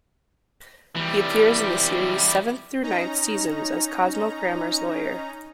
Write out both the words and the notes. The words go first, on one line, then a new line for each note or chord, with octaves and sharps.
He appears in the series' seventh through ninth seasons as Cosmo Kramer's lawyer.
E3 G3
C#4 D#4 A#5